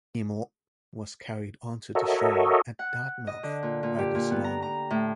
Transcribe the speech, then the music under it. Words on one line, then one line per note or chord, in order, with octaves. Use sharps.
"Imo" was carried onto the shore at Dartmouth by the tsunami.
F#4 A4 A#4 C#5 D#5 E5
F#5
D#5
D3
A#2
A#2
G4
A#2
B3
A#5
A#5
A2